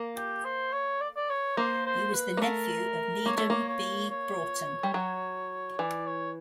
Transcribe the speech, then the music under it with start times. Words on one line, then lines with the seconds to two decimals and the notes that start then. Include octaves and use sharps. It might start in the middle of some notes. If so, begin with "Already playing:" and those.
He was the nephew of Needham B. Broughton.
Already playing: A#3
0.17 G4
0.45 C5
0.73 C#5
1.01 D5
1.16 D5
1.30 C#5
1.57 A#3 C5
1.86 C5
2.14 B4
2.37 A#3
2.42 A3 A#4
3.26 A#3 C#5
3.38 A3
3.50 A#3
3.68 C#5
4.10 C#5
4.83 G3
4.94 F#3
5.78 E3 D5
6.07 C#5